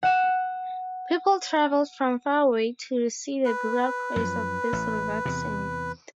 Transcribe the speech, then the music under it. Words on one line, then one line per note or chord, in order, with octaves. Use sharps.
People travelled from far away to see the burial place of this revered saint.
F#5 E7
B4
F#2 F3
A1
E2 C3